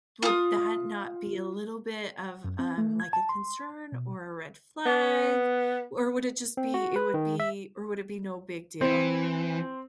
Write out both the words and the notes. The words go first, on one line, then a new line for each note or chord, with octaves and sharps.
would that not be a little bit of, um, like, a concern or a red flag? Or would it just be it would be or would it be no big deal?
F4 D#6
F#2
C4
A3
G#6
A5
C6
B2
B3
C4
F#4
B4
D#3
E5
E3 C4